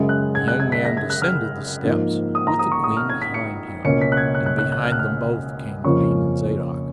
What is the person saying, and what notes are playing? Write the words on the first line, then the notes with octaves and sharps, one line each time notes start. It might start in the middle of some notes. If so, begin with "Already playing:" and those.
The young man descended the steps with the queen behind him, and behind them both came the Demon Zadok.
Already playing: F#2 C#3 G#3
F#6
G#6
F#6
G#6
B6
A#6
G#6
F#6
F6
G#2 F3 A#3
D#6
A#5
D#6
C#6
D#6
F6
G#6
B6
C#7
C#2 B2 A#3 C#4 C#7
B6
F#6
G#6
F#6
F#6
F#6
F#6
F6
F#6
F6
F2 C#3 F3 A#3 C#4 C#6